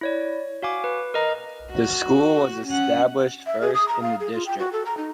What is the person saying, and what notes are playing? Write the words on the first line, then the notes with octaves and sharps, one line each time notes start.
The school was established first in the district.
E4 C#5 D5
C#5
F#4 F5 G#5 D6
B4
A#4 D#5 A#5
F#4
C#4 F#5
E5
G#4
D#6
A#5
F5
G#4
F4
G5
F#4
A4
A#5
D#4